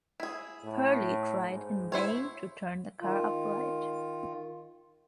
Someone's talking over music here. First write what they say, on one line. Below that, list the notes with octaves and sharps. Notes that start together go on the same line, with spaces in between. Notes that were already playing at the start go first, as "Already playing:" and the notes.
Purley tried in vain to turn the car upright.
E4 G#4
A2
G#2
E4 C5 C#5
D#3 F4